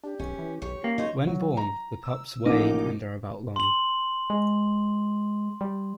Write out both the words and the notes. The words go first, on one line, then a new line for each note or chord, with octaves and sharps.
When born, the pups weigh and are about long.
D4 G4
B1 C#4
E3
B1 C#5
A#3 C#4 G4
D#4 C5 C#5
F#3
A#5
E6
A1 F3 A#3 D#4 D6
C6 F#7
G#3
G3